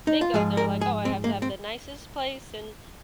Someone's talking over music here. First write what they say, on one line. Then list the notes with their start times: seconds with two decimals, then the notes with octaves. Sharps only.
think of, they're like, "Oh, I have to have the nicest place and
0.07 D#4
0.21 F4
0.34 G#2 F3 G#3 G#4
0.57 A#4
0.81 G#4
1.05 C4
1.24 A#3
1.42 C4